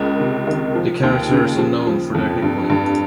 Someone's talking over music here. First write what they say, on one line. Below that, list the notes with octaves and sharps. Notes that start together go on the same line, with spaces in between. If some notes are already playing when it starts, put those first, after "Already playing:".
The characters are known for their heckling.
Already playing: C#2 C#3 A#4
C3
D#3
F3
D#2
C#3
F3
F3
F2
G2
G2